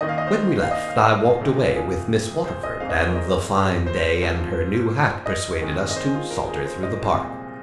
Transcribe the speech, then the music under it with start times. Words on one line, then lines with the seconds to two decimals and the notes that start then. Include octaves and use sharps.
When we left I walked away with Miss Waterford, and the fine day and her new hat persuaded us to saunter through the Park.
0.01 D#2 D#3 A#3 D#5
0.09 F5
0.18 D#5
0.27 C5
0.63 F5
0.71 D#5
0.88 F5
1.06 D#5
1.41 C2 C3 G#3 C4
1.65 F4
1.76 G#4
2.45 C5
2.63 D#5
2.80 G#1 G#2 G#3 C4 F5
2.89 D#5
2.99 C5
3.07 A#4
3.15 D#5
3.86 C5
4.21 G#2 F3 C4
5.26 D#5
5.62 D#2 D#3 G#3 C4
5.91 D#5
5.96 C5
6.05 G#4
6.14 F4
6.31 A#4
6.48 G#4
6.66 C5
6.83 D#5
7.01 C2 A#2 F3 G#3 C4